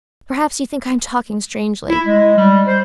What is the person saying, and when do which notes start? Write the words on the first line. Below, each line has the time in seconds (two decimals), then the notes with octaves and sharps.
Perhaps you think I am talking strangely.
1.89 E4
2.05 G#3
2.37 G3
2.67 C5